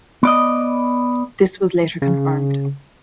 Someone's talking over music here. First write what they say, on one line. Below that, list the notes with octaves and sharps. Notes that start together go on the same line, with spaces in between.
This was later confirmed.
B3 D5 D#5
C#3